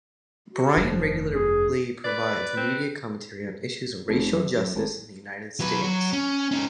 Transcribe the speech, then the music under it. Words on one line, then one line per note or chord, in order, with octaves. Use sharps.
Bryan regularly provides media commentary on issues of racial justice in the United States.
F#4
F1 G2 F3 D4
G#4
B4 D5
C4
F1
F#2
F#2
G#1
F#3 B4
F#3 C#5
C#4
C#4 D#4